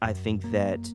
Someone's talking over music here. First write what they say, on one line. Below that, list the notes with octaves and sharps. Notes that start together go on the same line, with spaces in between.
I think that
F#2
A#3